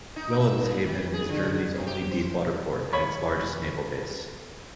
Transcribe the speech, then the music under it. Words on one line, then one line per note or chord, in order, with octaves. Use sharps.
Wilhelmshaven is Germany's only deep-water port, and its largest naval base.
D#4
E5
A#3
D#3
G#4
D3
C3
G4
C5
C#5 B5 C#6